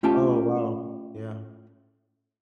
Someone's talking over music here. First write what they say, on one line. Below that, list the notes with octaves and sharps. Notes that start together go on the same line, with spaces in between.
Oh, wow, yeah.
A3 C#4 F4 G4 G5 A5